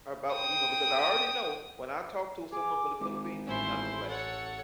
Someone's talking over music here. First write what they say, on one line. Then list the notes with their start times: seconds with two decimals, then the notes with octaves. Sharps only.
or about, you know, because I already know when I talk to someone from The Philippines, not gonna last long.
0.34 G5 D#6
2.52 G#4 D6
3.00 G#1
3.47 A1 C#4 E4 C5 C6
4.08 A4 C#5 F#5